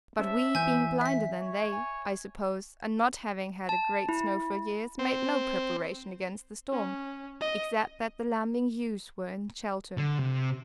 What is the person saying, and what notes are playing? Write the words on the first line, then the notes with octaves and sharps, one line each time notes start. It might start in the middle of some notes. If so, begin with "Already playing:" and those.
But we, being blinder than they, I suppose, and not having had a great snow for years, made no preparation against the storm, except that the lambing ewes were in shelter.
C#4 C5 E5 A5
E3 C4 G#5 G6
E5 B6
C#5
G#5
A5
E4
C4
C#4
D#5
D3
C3